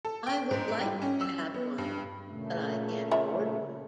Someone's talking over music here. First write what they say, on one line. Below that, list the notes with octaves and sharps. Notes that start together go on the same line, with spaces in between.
I would like to have one, but I can't afford one.
A4
G5
G#2
G3
C#4
E6
B3
G2
A#2 C#3 A3
F4 C#5 E5